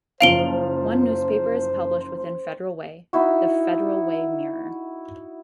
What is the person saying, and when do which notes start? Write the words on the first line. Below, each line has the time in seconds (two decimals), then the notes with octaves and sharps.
One newspaper is published within Federal Way, The "Federal Way Mirror".
0.21 F#1 F3 C5 F5 D7 F7 G7
3.13 D#4 E4 F#4